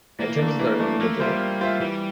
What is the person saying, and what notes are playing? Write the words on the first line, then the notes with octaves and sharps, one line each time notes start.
Entrances are individual.
E3 A#3
A3 D4
E3
A3 D4
A3 A#3
G3 F4 C5 E5
A#3
F4 C5 E5
E3 G3